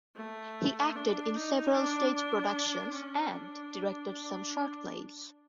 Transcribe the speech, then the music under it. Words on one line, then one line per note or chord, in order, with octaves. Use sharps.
He acted in several stage productions and directed some short plays.
A3
D4
D#4
D4
D4
C#4
D4
D4